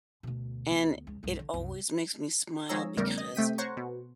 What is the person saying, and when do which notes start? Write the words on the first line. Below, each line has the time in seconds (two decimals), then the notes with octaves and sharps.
And it always makes me smile because
0.23 D2 B2
0.70 D2 B3
1.07 C#2
1.23 B1 G2
1.39 D3
1.53 C2 F#2
2.69 G#2 F3 G#4 C#5 A#5 E6
2.97 E2 A2 C#3 G3 A#4
3.18 D#5
3.35 C3 A3 G5 B6 D#7
3.58 C5 C#5 F#5 A#5 C#6
3.77 B2